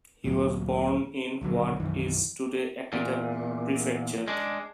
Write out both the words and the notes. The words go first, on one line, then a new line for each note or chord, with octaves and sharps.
He was born in what is today Akita Prefecture.
A1 D2 A#2 F#3
D#1 B1 D3 F#3
B1 F#2 D#3 E3
E2 A#2
G#3 D4